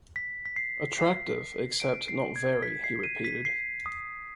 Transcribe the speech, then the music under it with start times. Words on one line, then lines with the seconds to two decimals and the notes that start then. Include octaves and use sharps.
"Attractive, except not very," he repeated.
0.16 B6
0.46 B6
0.56 C7
0.98 C7
1.80 D7
2.08 C7
2.36 G#6
2.63 B6
2.84 C7
3.04 D#7
3.25 B6
3.45 C7
3.86 D#6